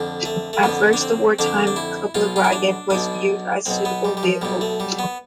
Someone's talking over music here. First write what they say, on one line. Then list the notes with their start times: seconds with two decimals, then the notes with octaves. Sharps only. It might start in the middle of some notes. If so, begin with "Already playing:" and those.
At first, the wartime Kubelwagen was viewed as a suitable vehicle.
Already playing: F2 D3
0.25 A3
0.53 A3
0.63 F2 D3 B3
0.93 D4
1.01 C4
1.39 F2 D3 D4
1.67 D4
1.76 E4
2.15 B1 B2 F4
2.36 F4
2.44 E4
2.52 D4
2.90 B1 B2 D4
3.66 B1 B2 C4
3.85 B3
4.05 G3
4.17 G3
4.23 F3
4.42 B1 B2 G3
4.61 A3
4.80 G3
4.99 B3